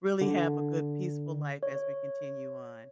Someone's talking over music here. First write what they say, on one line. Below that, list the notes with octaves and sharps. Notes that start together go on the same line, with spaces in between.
really have a good peaceful life as we continue on
D3
C#5